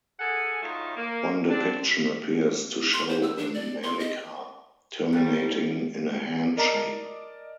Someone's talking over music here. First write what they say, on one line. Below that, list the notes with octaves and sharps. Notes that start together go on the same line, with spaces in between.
One depiction appears to show a manica terminating in a hand shape.
G#4 A4 F#5 G#5
A2 F#3 A3 D#4 F4
A#3
C4 D4
C6
C5
E6
D4
D5
C6
D#5
F3 G3 A3 A4 A#4 G5 F#6
A#4 D5 D#5 A5 A#5